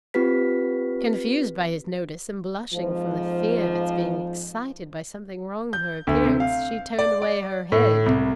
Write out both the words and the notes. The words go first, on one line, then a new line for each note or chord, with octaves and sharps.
Confused by his notice, and blushing from the fear of its being excited by something wrong in her appearance, she turned away her head.
C4 F4 G4 B4 B6
F2 G#2 F3
G6
D2
C3
F5
D5
D5
A2
C2